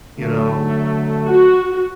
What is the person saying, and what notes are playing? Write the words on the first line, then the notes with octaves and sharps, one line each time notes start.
you know,
D3 F#3 A3
F#4